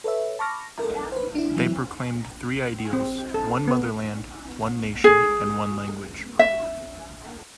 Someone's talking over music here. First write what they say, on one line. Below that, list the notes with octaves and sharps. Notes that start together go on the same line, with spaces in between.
They proclaimed three ideals, one motherland, one nation and one language.
A4 B4 C#5 E5
A5 B5 C#6 D6 F6 A#6
A4 A#4
B4 C5
D4 E4
E3 F#3 C4 E4
C4
A4
B3
G#4
E5